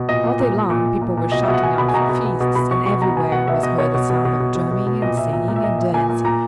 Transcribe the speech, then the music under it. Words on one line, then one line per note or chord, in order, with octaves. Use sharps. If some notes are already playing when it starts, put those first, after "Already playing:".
All day long people were shouting out for feasts, and everywhere was heard the sound of drumming and singing and dancing.
Already playing: B2
A#2 D#5
A#2
A#2
A#2
A#2
A#2
A#2
A#2
B2 D#5
B2 E5
F#5
B2 G#5
B2 B5
G#5
B2 A#5
B2
B2
B2
B2 B5
B2 C#6
B2 C#6
B2 A#5
B2 G#5
B2 F#5
B2 E5
B2 D#5
B2 C#5
B2
B2
B2
B2
B2
B2
B2
A#2 D#5
A#2 E5
A#2 E5
A#2
E5
A#2 D#5
A#2 E5
A#2 G#5
A#2
A#2 A#5